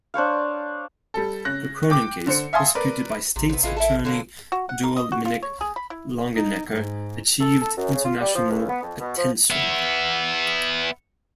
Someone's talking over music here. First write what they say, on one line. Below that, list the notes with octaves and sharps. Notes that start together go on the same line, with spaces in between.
The Cronin case, prosecuted by State's Attorney Joel Minnick Longenecker achieved international attention.
D4 C5 C#5 F5
G3 A4
C#3 F#6 A#6
G5 D6
D3 C5 C#7
E5 F5 G#5 A5 C6 D#6
A#4 B4 D5
A1 C3
C3 B3
A1 E3 G#3 F4
E4 F#4 A4
D3 F#3 A#3
F#4
F#5
A#4
D#5
F#4
F4
C#5
G#4
B5
E4
D#4
G#2
A4
A4
F#2
C#3
F4
G3
F3
C#2
B3
F2
B2
F3
B3 E4